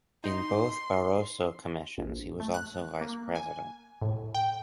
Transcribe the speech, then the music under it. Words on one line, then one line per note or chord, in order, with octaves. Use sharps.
In both Barroso Commissions he was also vice-president.
D#4 C6
A#1
A3
F#6
A#3
G#5
A2
G5